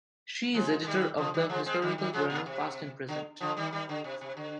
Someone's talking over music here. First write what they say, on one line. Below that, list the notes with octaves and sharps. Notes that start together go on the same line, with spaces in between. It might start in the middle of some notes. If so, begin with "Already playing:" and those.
She is editor of the historical journal "Past and Present".
F3 G#3
G#3
D#3 G3
D3 F3
D#3 G3
F3 G#3
G#3 C4
D#3 G3
D#3 G3
F3 G#3
A#2
C3
D3
D3 F3
D#3 G3
D#3 G3
D3
C3
C3
D3